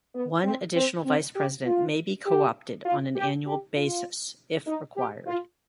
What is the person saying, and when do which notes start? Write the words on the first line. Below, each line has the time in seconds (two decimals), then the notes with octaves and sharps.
One additional Vice-President may be co-opted on an annual basis if required.
0.15 B3
0.44 C4
0.75 C4
1.05 C4
1.36 G4
1.66 F4
2.26 G4
2.85 F4
3.16 G4
3.47 G4
3.76 F4
4.67 D#4
4.97 G4
5.27 F4